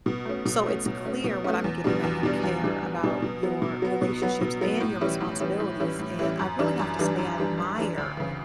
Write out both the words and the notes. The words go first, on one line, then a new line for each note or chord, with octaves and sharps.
So, it's clear what I'm getting that you care about your relationships and your responsibilities, and I really have to say, I admire
B2
A3 C#4
B2
A3 C#4
B2
A3 C#4
B2
A3 C#4
E2
B2 G3 D4
E2
B2 G3 D4
E2
B2 G3 D4
E2
B2 G3 D4
B2
F#3 B3
B2
F#3 B3
B2
F#3 B3
B2
F#3 B3
A2
E3 G3 C#4 E4
A2
E3 G3 C#4 E4
A2
E3 G3 C#4 E4
A2
E3 G3 C#4 E4
F#2
E3 G3 D4
F#2
E3 G3 D4
F#2
E3 G3 D4
F#2
E3 G3 D4
D2
C#3 E3